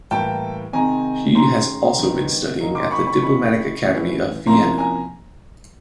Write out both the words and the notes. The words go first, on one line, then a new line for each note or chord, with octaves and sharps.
She has been also studying at the Diplomatic Academy of Vienna.
A2 E3 G3 A#3 G5 A5
C3 D#3 G#3 C4 G#5 A#5
D#3 G#3 C#4 A#5 C6
D#3 G3 B3 D4
D#3 F#3 A#3 D#4
C6 D6
B5 C#6
B5 C#6
D#3 G#3 C#4 E4 B5 C#6
E3 A3 C#4 E4
C3 F3 A#3 C#4 E4 A#5 C6
G#5 A#5